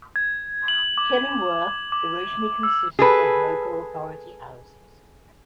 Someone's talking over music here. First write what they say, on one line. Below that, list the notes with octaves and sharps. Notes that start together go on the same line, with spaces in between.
Killingworth originally consisted of local authority houses.
G#6
F#7
D6
D6
E6
G#4 A4 B4